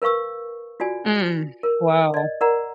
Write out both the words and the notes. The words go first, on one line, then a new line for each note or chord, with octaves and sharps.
Mm, wow.
A#4 B4 F5 C#6 E6
F4 F#4 D5 G#5
A#4
D5 D#5
A#4 D5 F#5 A#5